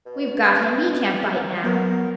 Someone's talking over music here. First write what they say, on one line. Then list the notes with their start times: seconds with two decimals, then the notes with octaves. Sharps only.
"We've got him; he can't bite now."
0.06 B2
1.64 F#3 B3 A#4 C#5